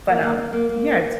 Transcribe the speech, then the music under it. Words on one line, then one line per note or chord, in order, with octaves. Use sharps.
but, um Yeah, it's
A#3
A#3
A#3
A#3
A#3